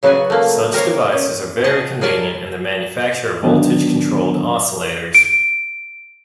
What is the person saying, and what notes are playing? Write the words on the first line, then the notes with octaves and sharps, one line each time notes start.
Such devices are very convenient in the manufacture of voltage-controlled oscillators.
C#3 F#3 B3 F#4 F#5 G#5
A3 A#3
G4 A#4 C5 C#5
C#4
G#4 D#5 F#5 A5
G#4 A#4 C#5 D5 G#5 A5
D3 D#3 F#3 B3 D4
D7